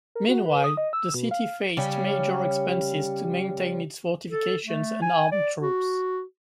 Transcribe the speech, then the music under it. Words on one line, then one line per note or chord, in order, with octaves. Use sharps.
Meanwhile, the city faced major expenses to maintain its fortifications and armed troops.
A#4
F#4
B4
D#6
D#5
E6
B2
F5
C#3 G3 C#4 G4
A4
A3
G#5
D5
F#4